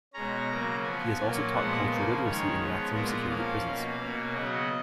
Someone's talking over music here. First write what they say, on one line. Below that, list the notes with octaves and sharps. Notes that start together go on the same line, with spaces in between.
He has also taught cultural literacy in maximum security prisons.
B2 G#3 C#4 A#5
C#3 F#3 A#3
F3 B3 G#5
A#2 F#3 A#3 C#4 G#5
A#2 F3 G#3 B3 F#5
C#3 F3 A#3 G#5
D#3 G#3 C#4 C#5
F3 G#3 B3
A#2 G#3 B3 A#4
F3 A#3 C#4 F5
B2 A#3 C#4
B2 A#3 C#4
C#3 F#3 B3 D#5